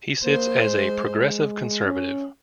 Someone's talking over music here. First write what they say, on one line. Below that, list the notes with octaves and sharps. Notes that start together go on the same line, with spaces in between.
He sits as a Progressive Conservative.
A#3 C5
G#3
G#3
C#4